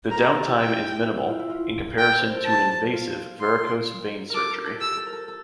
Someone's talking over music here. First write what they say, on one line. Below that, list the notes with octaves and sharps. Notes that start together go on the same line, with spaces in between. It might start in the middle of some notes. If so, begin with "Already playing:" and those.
The downtime is minimal, in comparison to an invasive varicose vein surgery.
A#4 A#5
A4
G4
E4
G5
E4
F4
E4
F4
G5
C5
A#4
A4
G4 A5
F4
C6
A4 A#4 D6
A#4
A4
G4 E6
A4
A#4
A4
A4